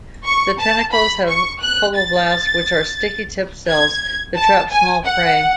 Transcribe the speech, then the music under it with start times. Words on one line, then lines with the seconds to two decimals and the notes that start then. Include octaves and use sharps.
The tentacles have colloblasts, which are sticky-tipped cells that trap small prey.
0.25 C#6
0.59 A5
0.92 B5
1.28 C#6
1.61 F#6
1.96 A6
3.68 G#6
4.36 A5
4.71 G#5
5.05 F#5